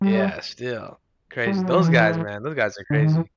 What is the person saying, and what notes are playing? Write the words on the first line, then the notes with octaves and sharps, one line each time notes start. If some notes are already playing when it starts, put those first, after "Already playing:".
yeah, still crazy, those guys, man, those guys are crazy.
G3
G3
F#3
F3
E3
D3
D#3
E3